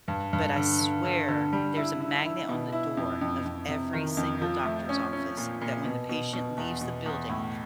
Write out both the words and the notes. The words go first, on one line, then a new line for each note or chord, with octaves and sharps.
but I swear there's a magnet on the door of every single doctor's office that when the patient leaves the building,
G2
G2
D3
D3
D3
D3
G3
E4
E4
E4
B2
E4
F2
F2
F2
C3
D#3
F2
F3
A3
C#4
C#4
A#2
A#2
B2
B2
B2
E2
B2
E2
A2